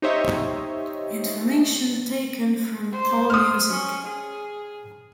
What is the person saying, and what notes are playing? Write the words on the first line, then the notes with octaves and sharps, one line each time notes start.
Information taken from Allmusic.
D#4 G4 C5 C#5 D#5 E5
C5
D#6 F6
C#4
G#4